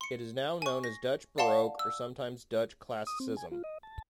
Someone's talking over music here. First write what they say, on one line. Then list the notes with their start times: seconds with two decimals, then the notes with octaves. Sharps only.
It is now known as Dutch Baroque or sometimes Dutch Classicism.
0.01 C6 C#7
0.62 G#5 C#6
0.84 A#6
1.38 D5 F5 F#5 A5 C6
1.79 E6
3.07 D#6
3.20 C4
3.37 G#5
3.51 F4
3.64 D#5
3.83 A5